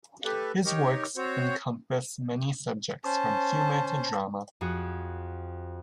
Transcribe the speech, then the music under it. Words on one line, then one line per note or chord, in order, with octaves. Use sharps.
His works encompass many subjects from humour to drama.
A3 G4 A4 B4
D#4 G4 A#4 C#5
C4 F#4 C5 C#5
C#4 C5 A5
F2 F#4 G#4